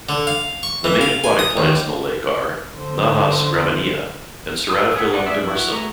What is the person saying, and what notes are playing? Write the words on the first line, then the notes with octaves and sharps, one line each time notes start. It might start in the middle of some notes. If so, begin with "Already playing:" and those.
The main aquatic plants in the lake are "Najas graminea" and "Ceratophyllum demersum".
D3
F5
C#6
E3
F5
G#5
D#6
D#2
D3 C5
D#6 E6
B3 G#4
D#4 D5 F#5
G#3 D4 D5 E5
E4 F#4
A3 F#4 G#4 A#5